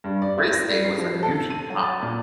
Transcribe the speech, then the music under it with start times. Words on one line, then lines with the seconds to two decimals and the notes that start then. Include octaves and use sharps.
Race day was unusually hot.
0.04 G2
0.22 D5
0.38 E4
0.53 A#6
0.68 G3
0.84 C7
0.98 F3
1.23 A4
1.50 D#7
1.70 F#3
1.83 A6
2.02 A#2